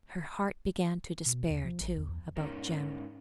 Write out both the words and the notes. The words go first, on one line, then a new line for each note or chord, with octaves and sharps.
Her heart began to despair, too, about Jem.
B2
D#2
F3
A1
E2
E2
G#2 C#4 D#4 A#4